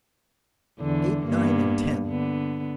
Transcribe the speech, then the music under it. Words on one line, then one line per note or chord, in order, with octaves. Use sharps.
Eight, Nine and Ten.
E2 D3
G2 A#3 B3
D3 B3